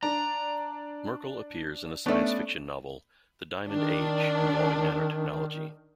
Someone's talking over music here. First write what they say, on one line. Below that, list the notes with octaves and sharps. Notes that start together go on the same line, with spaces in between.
Merkle appears in the science fiction novel "The Diamond Age", involving nanotechnology.
D4 A#5
A3 B3 C#4 D4 D5
D#3 D4